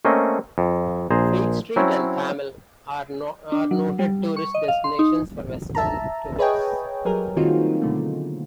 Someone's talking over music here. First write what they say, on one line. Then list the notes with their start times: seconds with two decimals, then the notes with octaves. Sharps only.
Freak Street and Thamel are noted tourist destinations for Western tourists.
0.05 A3 A#3 C4 C#4 D#5
0.58 F2
1.10 A#1 G#4 C5 A#5
1.76 F#3 C4 C#4 E4
3.52 D4
3.71 F#3
3.99 G3
4.36 C#6
4.54 D#5
4.68 F5
4.84 C6
4.99 D#4
5.75 E5 A5 A#5
6.38 G#4 B4 C#5 D#5 G5 G#5
7.05 F#3 G3 G#4 A#4
7.36 D#3 A#3 C4 D#4 F4 F#4
7.82 B2 D3 A3